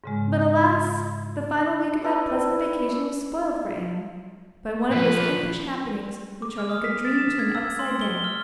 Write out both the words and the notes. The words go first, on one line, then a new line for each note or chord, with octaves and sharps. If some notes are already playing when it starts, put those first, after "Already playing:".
But alas, the final week of that pleasant vacation was spoiled for Anne, by one of those impish happenings which are like a dream turned upside down.
G#2 C#3 G#3
E4 A4 B4 D5
A#2 F3 B4
D6
F6
D#6
B6
A6
E7
G#6
E6
C6
G7
F6